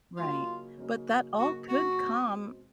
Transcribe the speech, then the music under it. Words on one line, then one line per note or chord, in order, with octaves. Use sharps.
Right, but that all could come,
C#3 F#3 A#3 D#4 F4
C#3 F#3 A#3 D#4
C#3 F#3 A#3 D#4 F#4
F#4
B2 G#3 C4 D#4